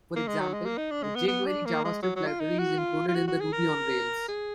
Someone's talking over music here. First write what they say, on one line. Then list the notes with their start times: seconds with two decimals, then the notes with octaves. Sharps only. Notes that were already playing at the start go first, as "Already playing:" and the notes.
For example, the jQuery JavaScript library is included in Ruby on Rails.
0.16 A#3
0.27 G#3
0.41 F#3
0.53 G#3
0.65 A#3
0.78 D#4
0.91 D4
1.03 G#3
1.15 B3
1.28 B3
1.47 D4
1.66 A#3
1.85 G#3
2.02 F#3
2.16 F#3
2.27 F4
2.40 D#4
2.59 F#4
2.78 F4
3.08 F4
3.15 F#4
3.28 F#4
3.40 G#4
3.53 A#4
4.28 G#4